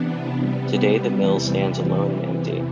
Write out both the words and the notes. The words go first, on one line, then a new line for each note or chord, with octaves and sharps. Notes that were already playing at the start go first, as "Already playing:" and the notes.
Today the mill stands alone and empty.
Already playing: C3 E3 B3 D4
C3 G3 B3
E2 C3 E3 G3
E2 C3 E3